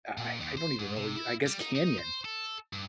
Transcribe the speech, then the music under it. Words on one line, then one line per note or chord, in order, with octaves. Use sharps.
I I don't even know what you I guess canyon.
A#2
D#2
C5
G#2
C3
E4
G3
D#4
D#4
C5
A4
G2